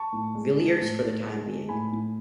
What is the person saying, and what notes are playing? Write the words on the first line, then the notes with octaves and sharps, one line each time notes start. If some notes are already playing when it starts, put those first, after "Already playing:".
Villiers for the time being.
Already playing: A5 C#6
A2
G#3
G#3
A2
A2
G#3
G#3
A2 G#5 B5
A2